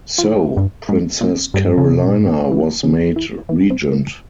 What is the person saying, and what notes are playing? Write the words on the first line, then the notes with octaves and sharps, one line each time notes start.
So, Princess Carolina was made regent.
F3
E3
G2
G#2
A#2
G2
C#3
C3
A#2
G#2
E3
C#3
E3
E3
C3
A#2